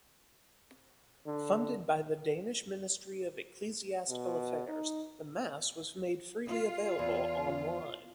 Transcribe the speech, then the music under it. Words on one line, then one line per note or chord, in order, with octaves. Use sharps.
Funded by the Danish Ministry Ecclesiastical Affairs, the Mass was made freely available online.
D3
B2
D#4
F4
E2